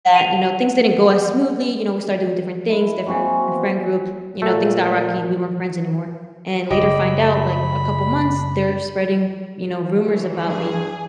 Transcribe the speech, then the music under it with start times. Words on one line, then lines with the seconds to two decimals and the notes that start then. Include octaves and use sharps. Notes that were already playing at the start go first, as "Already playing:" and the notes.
that, you know, things didn't go as smoothly, you know, we started doing different things, different friend group, you know, things got rocky, we weren't friends anymore. And later find out, like a couple months, they're spreading, you know, rumors about me.
0.14 F#5 D#7 F7
2.68 E4 D#5
3.06 A#3 C4 F#4 G#4
3.52 B3
4.42 A#2 A3
6.70 F#1 G4 D#5 B5
10.02 D3 E3 F#3
10.46 G2 G#4